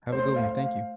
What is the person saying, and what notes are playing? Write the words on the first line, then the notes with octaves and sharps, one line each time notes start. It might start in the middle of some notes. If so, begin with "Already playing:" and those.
have a good one, thank you.
A3 C5
F5